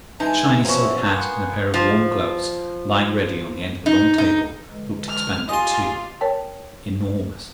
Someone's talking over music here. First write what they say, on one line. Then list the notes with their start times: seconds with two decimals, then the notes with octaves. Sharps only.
A shiny silk hat and a pair of worn gloves lying ready on the end of a long table looked expanded too, enormous.
0.20 E3 G#3 D#4 G#5
0.65 E2 F3 C#4 E4 F#4 A#5
1.07 A#3 B3 G#5 C6
1.74 F3
3.86 D#4
4.18 D#4
4.71 D3 E3 G#3
5.09 F6
5.49 F4 G4 D#5 G#5 C6
6.21 A#4 C#5 G5 A5